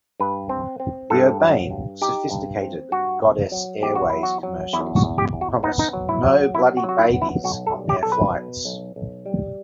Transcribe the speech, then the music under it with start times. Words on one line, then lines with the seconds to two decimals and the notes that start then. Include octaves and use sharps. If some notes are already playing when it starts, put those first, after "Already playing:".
The urbane, sophisticated Goddess Airways commercials promise "no bloody babies" on their flights.
0.20 G2 B4
0.49 C4
0.80 C4
1.10 G2 A4
1.40 F#3
1.70 G2
2.02 D#4 G4
2.31 G2
2.62 C4
2.91 G2 F#4
3.22 C4
3.52 F#3
3.82 E2 G4
3.95 F#4
4.10 F#3 E4
4.23 F#4
4.43 F#3
4.73 E2 E4
4.96 F#4
5.04 E2
5.18 G4
5.33 E2
5.41 F#4
5.63 B3 D#4
5.79 D#4
5.93 F#3
6.09 E4
6.23 F#3
6.55 C3 E4
6.77 F#4
6.84 F#3
6.89 F#4
6.99 E4
7.14 B3
7.22 E4
7.44 B1 F#4
7.67 A4
7.74 G3
7.89 G4
8.03 B1 A4
8.12 B4
8.35 B2
8.65 B1
8.96 B1
9.26 G3